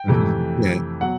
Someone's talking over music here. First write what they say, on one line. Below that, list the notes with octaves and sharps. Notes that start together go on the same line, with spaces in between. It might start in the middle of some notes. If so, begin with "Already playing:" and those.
Mhm. Yeah.
Already playing: G5
F2 C3 E3 A3
B2 F#3 F#5